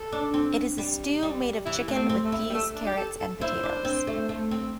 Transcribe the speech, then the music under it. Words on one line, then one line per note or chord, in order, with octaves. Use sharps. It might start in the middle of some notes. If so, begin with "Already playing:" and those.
It is a stew made of chicken with peas, carrots, and potatoes.
Already playing: A4
D4
C4
G3
G3
E3 E4
A3
C4
C4
A3
E4
G3
A3
D4
G4
A4
A4
E4 C5
D4
C4
A3
A3
C4